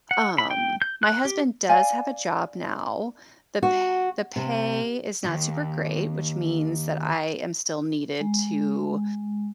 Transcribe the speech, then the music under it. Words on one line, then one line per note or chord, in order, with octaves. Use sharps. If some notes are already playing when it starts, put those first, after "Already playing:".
Um, my husband does have a job now, the pa the pay is not super great, which means that I am still needed to
F#5
B5
G5
G6
F#6
G4
D5 F5 G#5
F#4
C3
D#2 G#2
G#3